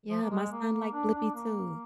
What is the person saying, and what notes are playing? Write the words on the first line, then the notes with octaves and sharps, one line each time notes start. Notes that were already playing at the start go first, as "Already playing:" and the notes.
Yeah, my son like Blippi too.
F3
A#3
G#3
A#3
A#3
D4
D4
A#3